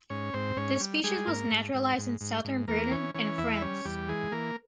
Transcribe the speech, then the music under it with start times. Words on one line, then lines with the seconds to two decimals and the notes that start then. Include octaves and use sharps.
The species was naturalized in Southern Britain and France.
0.10 G#2 C#4 C#5
0.34 G#2 C4 C5
0.57 G#2 C#4 C#5
0.80 G3
1.04 G3 G#3 G#4
1.27 G#2 A#3 A#4
1.51 G#2
1.74 G#2
1.98 G#2
2.21 G#2
2.44 G#2
2.68 E2 A#3 A#4
2.91 E3 C#4 C#5
3.15 E3 C#4 C#5
3.38 E2 E4 E5
3.62 G3 C#4 C#5
3.85 E2 G3 G4
4.08 E3 G#3 G#4
4.32 E3 A#3 A#4